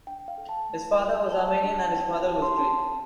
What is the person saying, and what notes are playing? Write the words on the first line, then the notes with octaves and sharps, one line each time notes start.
His father was Armenian and his mother was Greek.
D4 G5
F5
A4
A5
A3
F4 A4
A3 A5
A5
D4 F4 A5
A5
C4 G5
F5
G4 A5
C6
C4 A5
A4